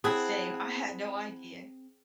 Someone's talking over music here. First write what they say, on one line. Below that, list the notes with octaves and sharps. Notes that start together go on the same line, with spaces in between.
Same. I had no idea.
C4 E4 G#4 F#5 A5